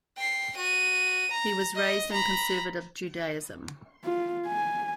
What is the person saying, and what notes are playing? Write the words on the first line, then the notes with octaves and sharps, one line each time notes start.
He was raised in Conservative Judaism.
G5 C7
F#4 D#7
A#5
D#5
A#5 B5
F4
G#5